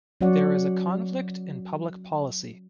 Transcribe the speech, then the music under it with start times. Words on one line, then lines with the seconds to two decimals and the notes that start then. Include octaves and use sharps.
There is a conflict in public policy.
0.21 F#3 C#4 F#4 C#5 D5 F#5